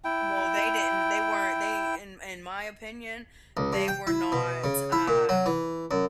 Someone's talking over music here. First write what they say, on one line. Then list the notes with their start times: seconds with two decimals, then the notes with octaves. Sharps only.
Well, they didn't they weren't they, in in my opinion, they were not, um,
0.04 E4 G5
3.57 C#2
3.73 G2
3.88 G5
4.07 E4
4.32 B2
4.64 C#3
4.92 E4
5.08 A#2
5.29 F#3
5.46 E3
5.91 F#2